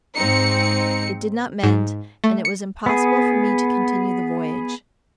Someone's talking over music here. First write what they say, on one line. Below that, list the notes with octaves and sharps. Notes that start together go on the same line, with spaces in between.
It did not mend, and it was impossible for me to continue the voyage.
G#2 C4 D#4 C#7
G#2
A3
C#7
B3 G#4